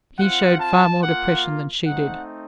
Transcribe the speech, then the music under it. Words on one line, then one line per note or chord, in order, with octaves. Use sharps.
He showed far more depression than she did.
C4 F4 F#5
A5
A#3 F4 F#5
A3 C4 D#4 F#5